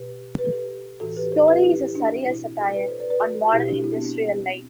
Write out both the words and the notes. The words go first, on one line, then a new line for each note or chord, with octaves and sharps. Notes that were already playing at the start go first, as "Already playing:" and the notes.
The story is a surreal satire on modern industrial life.
Already playing: B2 G4 B4
B4
A4
G4 B4
A2 E3 F#4 A4
G4 B4
A4 C5
G4 B4
E4 G4
D4 F#4
B2 C4 E4
F#4 A4
B4 D5
A4 C5
B4 D5
B4 D5
F#4 A4
F#4
B2 E4 G4
D4 F#4
C4 E4
B3 D4
B3 D4
B3
C4